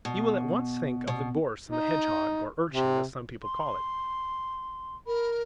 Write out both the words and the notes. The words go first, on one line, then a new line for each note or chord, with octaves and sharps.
You will at once think of the gorse and the hedgehog, or urchin, as some people call it.
B2
B2
D#4
C3
C6
A#4 B5